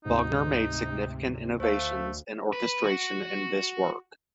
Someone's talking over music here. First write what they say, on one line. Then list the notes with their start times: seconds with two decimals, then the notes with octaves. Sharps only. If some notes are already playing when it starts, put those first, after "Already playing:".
Wagner made significant innovations in orchestration in this work.
0.05 D2 G#2 C3 D#4
1.60 D2 A3 C5 F5
2.53 B4
2.84 F#4